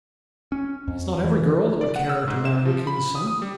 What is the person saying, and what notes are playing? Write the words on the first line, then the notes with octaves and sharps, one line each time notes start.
It's not every girl that would care to marry a king's son.
C#4
F2
E3
D5
F#5
E6
G#2
E7
F3
B5
D#6
D#6
G3